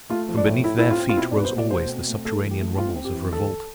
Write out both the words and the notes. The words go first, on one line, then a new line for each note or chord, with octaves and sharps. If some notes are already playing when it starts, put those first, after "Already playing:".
From beneath their feet rose always the subterranean rumbles of revolt.
A3 F4
F3
D4
A2
A2 E4
C4 E4
F4
C4
F4
B2 E4
D4
B2 B4
C5
A3 D5
B2 C5
C4
A3
A3 A4
E3
G4
A3
C4 F4
C4
G4
E3
D2 A4